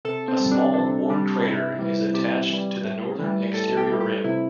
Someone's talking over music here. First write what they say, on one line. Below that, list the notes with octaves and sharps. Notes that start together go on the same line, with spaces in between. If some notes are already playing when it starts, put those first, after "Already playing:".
A small worn, crater is attached to the northern exterior rim.
C3 A4
C4
G3
D4
C3 D4
G3 D4
C3 E4
E3 G3
C3 G4
E3 G3
A2
E3 G3
A2 A4
G4
E3 G3
G4
C3 E4